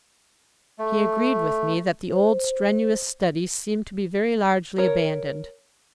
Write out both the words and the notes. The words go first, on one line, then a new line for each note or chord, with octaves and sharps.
He agreed with me that the old strenuous studies seem to be very largely abandoned.
A3
C5
A#4 C#5